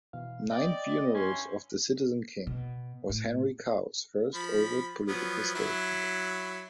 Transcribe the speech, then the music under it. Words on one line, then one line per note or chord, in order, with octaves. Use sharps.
"Nine Funerals of the Citizen King" was Henry Cow's first overt political statement.
B2 E3 F5
D5 D#5 G5
G2 C#4 E4 C6
B2
A2
F3 B5
F3 F#3 B3
F#3 E4